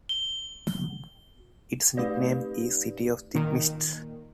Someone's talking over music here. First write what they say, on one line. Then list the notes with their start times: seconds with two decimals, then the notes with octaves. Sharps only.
Its nickname is City of the Mists.
0.09 G7
1.97 A3 D#4 G4 B4 D5
3.35 A#2 D#3